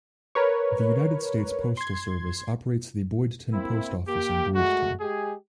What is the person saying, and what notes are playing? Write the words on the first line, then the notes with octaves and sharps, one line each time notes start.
The United States Postal Service operates the Boydton Post Office in Boydton.
A#4 B4 C#5
C6 G#6
A#3 C4 E4
A#3 G4
G#3 A3 F#4
G#3 G4 G#4